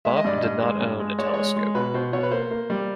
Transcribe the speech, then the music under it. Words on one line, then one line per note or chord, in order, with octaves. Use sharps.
Bopp did not own a telescope.
G#3 E5
D#5
G2 D5
D#5
G2
G#3
G2
G#3
G#3 C#5
D5
G#3 C#5
G#3
B2 B4
B2 C5
B2 C#5
B4
A#3 C5
A#3
G3